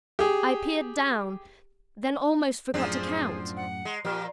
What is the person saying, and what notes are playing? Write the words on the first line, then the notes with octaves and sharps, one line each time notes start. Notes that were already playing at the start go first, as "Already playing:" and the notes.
I peered down, then almost forgot to count.
G4 G#4
F#2 A2 F3 C4 D4 G#4
F#5
G#3
A#2 F3 G4 A#4